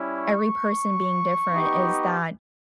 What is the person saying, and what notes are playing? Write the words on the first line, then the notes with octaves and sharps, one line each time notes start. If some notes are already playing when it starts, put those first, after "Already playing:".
every person being different is that
Already playing: G3 C#4 E4
C#6
B3 D#4 G4